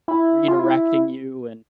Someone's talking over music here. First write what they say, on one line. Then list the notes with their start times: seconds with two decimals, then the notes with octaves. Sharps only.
redirecting you, and
0.08 E4
0.48 F4
0.59 E4